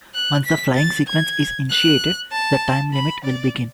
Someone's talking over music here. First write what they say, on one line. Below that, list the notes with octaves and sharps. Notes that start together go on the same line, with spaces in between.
Once the flying sequence is initiated, the time limit will begin.
F#6
B6
A6
G#6
F#6
A5
B5
D5